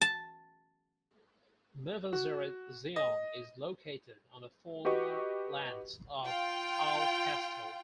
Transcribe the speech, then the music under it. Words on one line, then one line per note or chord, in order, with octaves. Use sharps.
Mevaseret Zion is located on the former lands of Al-Qastal.
A5
F#4
D#5
F#4 G4 B4 D#5 C#6
F4 G5